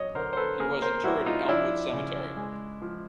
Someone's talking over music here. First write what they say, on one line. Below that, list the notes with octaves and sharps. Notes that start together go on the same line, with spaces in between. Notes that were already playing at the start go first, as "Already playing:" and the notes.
He was interred at Elmwood Cemetery.
Already playing: F#3 C#5 D#5
D3 A#4 C5
C5
A4 B4
A#3 G#4 A#4
A#4 C5
G3 E4 F#4
D#4 F4
F3 D4 E4
C#3
G#3
F3